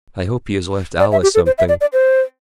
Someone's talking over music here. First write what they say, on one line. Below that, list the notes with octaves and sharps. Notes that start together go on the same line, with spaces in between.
"I hope he has left Alice something."
D5
E5
G4
A4
C5
E5
D5
D5
C5